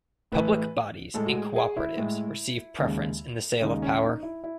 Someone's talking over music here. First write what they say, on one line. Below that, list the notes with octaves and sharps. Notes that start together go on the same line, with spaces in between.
Public bodies and cooperatives receive preference in the sale of power.
A2 E3 A3 B4
A2 G#3 A4
F#4
G#4
G#4
E4
A2 G#3
D#2 C#3 G#3
D#2 C#3 G#3 D#4
C#4
D#4
E4
E4